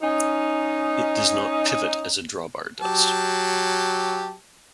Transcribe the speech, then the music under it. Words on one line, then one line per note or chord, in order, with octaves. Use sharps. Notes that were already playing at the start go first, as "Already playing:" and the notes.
It does not pivot as a drawbar does.
C#4 D#4
F#3 G4 A5